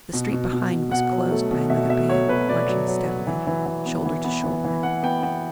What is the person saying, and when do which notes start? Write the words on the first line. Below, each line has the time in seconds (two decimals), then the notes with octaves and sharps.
The street behind was closed by another band, marching steadily, shoulder to shoulder.
0.13 B2
0.32 B2
0.53 B2
0.72 B2
0.91 B2 F#5
1.12 F#3
1.31 A3
1.51 B2
1.70 B2 E5
1.90 B2 E5
2.09 F#3 C#5
2.28 B2 B4
2.49 B2 D5
2.67 F#3
2.87 F#3
3.07 F#3
3.27 E3
3.47 E3
3.66 E3
3.86 B3
4.06 E3
4.24 B3
4.44 E3
4.64 E3
4.83 B3 F#5
5.03 B3 G5
5.22 B3 G5